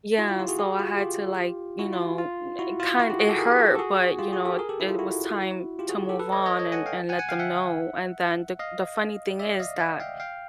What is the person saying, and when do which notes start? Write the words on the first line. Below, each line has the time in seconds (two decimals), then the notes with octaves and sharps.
Yeah, so I had to, like, you know, ne kind it hurt, but you know, it was time to move on and and let them know. And then the the funny thing is that
0.18 E4 F#4
0.28 F4
0.39 F4 G4
0.48 F#4 G#4
0.59 F#4 G#4
0.79 F4 G4
0.99 F4 G4
1.79 E4 F#4
1.93 F4
2.18 F4
2.59 E4 F#4
2.80 F4
2.99 E4 F#4
3.10 F4 G4
3.19 F#4 G#4
3.29 G4 A4
3.38 G#4 A#4
3.59 G4 A4
3.75 A4
3.79 F#4 G#4
4.19 F4 G4
4.32 F#4 G#4
4.45 G4 A4
4.59 G#4 A#4
4.69 G4 A4
4.80 E4
4.89 F4
4.99 E4 F#4
5.79 F4 G4
5.89 F#4 G#4
6.09 G4 A4
6.19 A4 B4
6.32 C#5 D#5
6.46 C#5 D#5
6.59 C#5 D#5
6.72 F#5 G#5
6.86 F5 G5
7.09 F#5 G#5
7.19 F#5 G#5
7.29 F5 G5
7.39 E5 F#5
8.59 D#5 F5
9.39 D5 E5
9.59 D#5 F5
9.79 E5 F#5
10.00 F5 G5
10.20 F5 G5